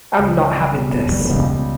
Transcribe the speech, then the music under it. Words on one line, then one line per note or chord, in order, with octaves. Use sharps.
I'm not having this.
C#2
G3
G3
B2
B2
G3
C#2
C#2